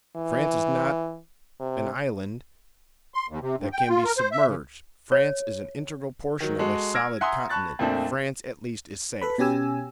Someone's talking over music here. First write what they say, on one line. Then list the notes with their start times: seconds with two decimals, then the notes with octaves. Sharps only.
"France is not an island that can be submerged; France is an integral portion of a solid continent. France, at least, is safe."
0.16 E3
1.60 C3
3.14 C6
3.29 D#2
3.42 C3
3.58 G2
3.72 G5
3.89 F4
4.05 A#4
4.17 C5
4.32 E5
4.47 C#3
5.12 C#5
6.40 D#3 F#3
6.59 G#3 F#4 A4
6.94 E6 F6 G#6 A#6 D7
7.21 E5 F#5 G#5 A#5 C6 D#6
7.50 A5 B5 C#6 F#6 A6
7.79 F2 A#2 F3 A3 C4 D4
9.22 A4 B4 B5
9.38 B2 C#4 G4 G#5 E6